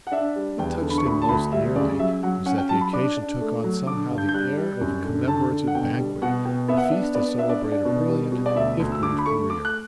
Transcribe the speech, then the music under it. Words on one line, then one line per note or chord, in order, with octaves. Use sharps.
What touched him most nearly was that the occasion took on somehow the air of a commemorative banquet, a feast to celebrate a brilliant if brief career.
F#5
D4 E5
G3
E2 G5
D3
B5
C#6
D2 B5
A5
D2 B5
G3 E5
C#3 D5
F#3 E5
F#3 F#5
C#4 F#5
G5
F#3 A5
B5
D4 D6
D4
A3
F#3
D3 D6
G2
G6
G6
G3 F#6
G3
F#2
D3
D3 A5
D3
F#5
B2 G5
G3
B2 F#5
B2 G5
B3 E5
F#5
E5
D4
B3 D5
D4 E5
D5
D4
D5
B2
G3
B2
D5
D2 E5
D2
E6
D3 D6
B5
A3 C#6
A3 D6
F#6